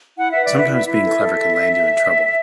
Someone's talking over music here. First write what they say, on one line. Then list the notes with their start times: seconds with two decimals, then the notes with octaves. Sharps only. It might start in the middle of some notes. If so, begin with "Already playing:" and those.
Sometimes being clever can land you in trouble.
0.18 E4 F#5
0.31 B4 E5
0.44 D5
0.53 B4 E5
0.69 E4
0.86 E4 E5
1.03 A4
1.19 A4